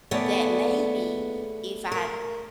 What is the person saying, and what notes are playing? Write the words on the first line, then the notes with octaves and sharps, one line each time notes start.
that maybe if I
D#2 A3 B3 G#4 C#5 D5
A#4